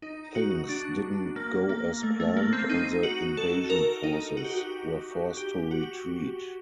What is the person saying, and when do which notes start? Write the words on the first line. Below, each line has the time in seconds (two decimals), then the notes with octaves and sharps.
Things didn't go as planned and the invasion forces were forced to retreat.
0.02 D#4
0.35 F#4
0.69 D4
1.36 A#3
1.69 A#3
2.03 A3
2.20 A3
2.37 A#3
2.53 C4
2.69 D#4
3.03 F#4
3.37 A4
3.70 A#4
4.03 D#4
4.37 F#4
4.44 G4
4.51 F#4
5.37 G4
5.71 F#4